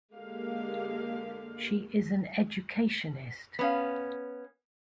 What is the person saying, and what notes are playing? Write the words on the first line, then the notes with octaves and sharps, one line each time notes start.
She is an educationist.
D3 G#3 A#3 G4 F5
B3 C#4 F5